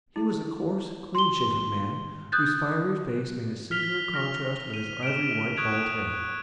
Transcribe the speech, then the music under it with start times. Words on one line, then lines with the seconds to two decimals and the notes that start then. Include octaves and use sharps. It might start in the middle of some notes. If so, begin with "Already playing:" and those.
He was a coarse, clean-shaven man, whose fiery face made a singular contrast with his ivory-white bald head.
0.16 E4
1.15 C6 G7
2.32 D#6 F#6 G6 A6
3.71 F6 B6 F7 G7
4.14 F6 A#6 F7
4.70 D#7 F7
5.03 D7 E7
5.57 C#6 D#6 F#6 G#6 D7 F7